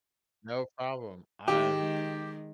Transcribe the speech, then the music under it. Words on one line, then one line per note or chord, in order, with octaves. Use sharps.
No problem, I'm
D#3 G#3 G4